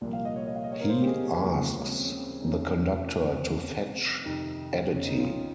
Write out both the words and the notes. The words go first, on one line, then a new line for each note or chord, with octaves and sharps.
He asks the conductor to fetch Aditi.
C2 A#2 F3 A#3
F5
D#5
C#5
D#5
F5
D#5
C#5
A#4
C5
G4
G#4
D#2 C#3 F3 G#3
C#4
C4
C4
D#4
C#4
F2 C3 F3
C4
C4
F2 C3 D#3 D#4
C#4
D#4
F4
F4